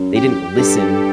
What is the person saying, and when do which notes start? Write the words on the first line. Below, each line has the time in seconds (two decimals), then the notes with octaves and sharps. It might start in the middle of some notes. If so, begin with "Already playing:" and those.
they didn't listen
Already playing: F#2
0.16 G4
0.58 G2 A4